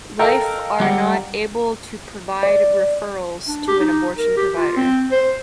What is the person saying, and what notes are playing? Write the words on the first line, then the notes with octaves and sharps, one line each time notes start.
Life are not able to provide referrals to an abortion provider.
A4 A#4 D#5 F5 G5
G3 G4 F#5
D5
D4
G4
D#4
A#4
G4
F4
C4
C5